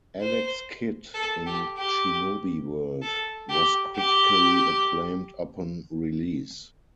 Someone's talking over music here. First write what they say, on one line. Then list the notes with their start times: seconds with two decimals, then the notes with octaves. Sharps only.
"Alex Kidd in Shinobi World" was critically acclaimed upon release.
0.21 C5
1.15 A4
1.46 G4
1.77 G4
3.02 A4
3.49 G4
3.96 G4